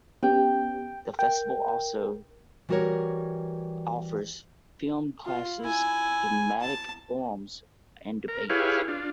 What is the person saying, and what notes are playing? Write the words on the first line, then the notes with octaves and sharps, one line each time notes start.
The festival also offers film classes, thematic forums and debates.
B3 C#4 G4 G5
A#4 G5
E3 G3 F#4 A4 A#4 C#5
F4
E4 G#5
A5
A#4
E4 G4 G#4 B4 C#5 F5
D4 F4